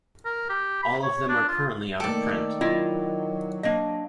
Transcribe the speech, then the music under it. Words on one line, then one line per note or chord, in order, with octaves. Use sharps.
All of them are currently out of print.
A#4
G4
B5
C#5
D4
F4
D#3 A3 A#3 A4 D5 G5
F#3 E4 F4 D#5
A#3 D4 D#5